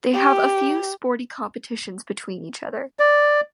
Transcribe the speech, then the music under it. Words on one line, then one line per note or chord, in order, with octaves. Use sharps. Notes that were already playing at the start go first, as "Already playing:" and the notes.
They have a few sporty competitions between each other.
G4
D5